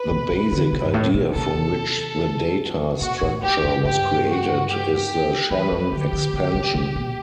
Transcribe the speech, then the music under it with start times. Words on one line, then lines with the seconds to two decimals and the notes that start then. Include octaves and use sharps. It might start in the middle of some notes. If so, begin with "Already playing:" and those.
The basic idea from which the data structure was created is the Shannon expansion.
Already playing: B4
0.11 B2
0.31 C3
0.52 D3
0.73 C3
0.84 G2
0.94 A2
1.14 B2
1.35 C3 A4
3.01 B2 F#4
3.22 A2
3.42 F#2 G4
3.64 F#2
3.84 G2 G4
4.26 F#4
4.67 G4
5.09 G4
5.50 E3 B4
5.72 E3
5.92 D3 G4
6.13 D3
6.34 D3
6.54 C3
6.75 C3
6.96 B2